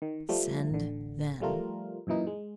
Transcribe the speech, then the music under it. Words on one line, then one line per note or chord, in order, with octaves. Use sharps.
"Send then."
D#3
F3 G3 A3
A1 D3
F3 G3 A3 F4 A#4
F#2 A#2 E3 D#4
G#3